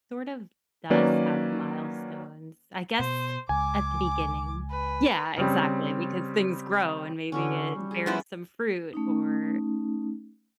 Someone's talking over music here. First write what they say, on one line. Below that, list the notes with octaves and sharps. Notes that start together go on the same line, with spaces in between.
sort of, does have milestones, I guess, at the beginning. Yeah, exactly, because things grow and maybe it bears some fruit or
D#3 F#3 A#3 C#4 B4 D5
B2 C5
C#2 G#5 D6
B4
C#3 G3 C4
D3 C#4 F#4 C#5
G3
G#4
F3 B3 C#4 E4
A3 C#4 D#4